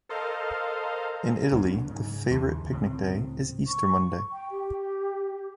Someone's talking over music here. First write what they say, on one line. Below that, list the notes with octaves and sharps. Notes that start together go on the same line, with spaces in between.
In Italy, the favorite picnic day is Easter Monday.
A4 A#4 C5 D#5 F5
C#2 F#3 B3 D4
G#2 C#3
D#2 C#3 E3
C#2 A2 C4
C#6
G5
G4